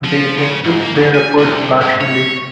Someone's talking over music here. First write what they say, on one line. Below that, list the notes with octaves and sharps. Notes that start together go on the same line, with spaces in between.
They then took their efforts nationally.
F3
C#3
G#2
A#3
C#3
G#5
C2
G#2
C#5